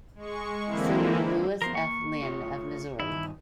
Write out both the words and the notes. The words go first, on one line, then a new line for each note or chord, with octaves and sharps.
Senator Lewis F. Linn of Missouri.
G#3 C#6
D3 E3 G#3 A#3 C4 E4
F3 B3 A#4 C5
A#3 C#6
A3 F4 C#5
G2 D#3 D#4 E4